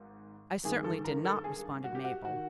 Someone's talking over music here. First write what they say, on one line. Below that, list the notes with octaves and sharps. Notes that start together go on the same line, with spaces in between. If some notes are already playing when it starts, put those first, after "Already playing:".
"I certainly did not," responded Mabel.
Already playing: G#1 G#2
G#1 G2 D#3 G#4
A4
A#4
A4
G#4
F#4
G4
F#4
D#3 F#4